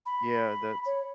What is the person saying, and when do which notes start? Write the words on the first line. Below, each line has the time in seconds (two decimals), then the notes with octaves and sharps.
Yeah, that's
0.06 B5
0.86 C#5